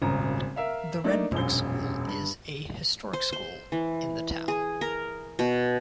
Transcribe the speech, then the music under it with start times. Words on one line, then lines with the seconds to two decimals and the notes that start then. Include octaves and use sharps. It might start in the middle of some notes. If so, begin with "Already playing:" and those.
The Red Brick School is a historic school in the town.
0.02 D#1 G#1 C#3 A#5
0.56 A#4 E5 F5
1.04 A3 A#3 D4 D#4
1.32 E1 A#1 F#2 G7
2.07 G2
3.13 C5
3.32 C5
3.72 E3
4.48 G#4
4.81 A#4
5.39 B2